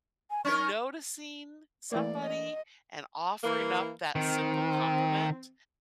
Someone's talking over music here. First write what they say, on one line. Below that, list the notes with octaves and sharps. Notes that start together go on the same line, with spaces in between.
noticing somebody and offering up that simple compliment,
G#5
C#4 D#4 A#4 C#6
E3 A3 A#3 D5
D#5
E3 A#3
D#3 C4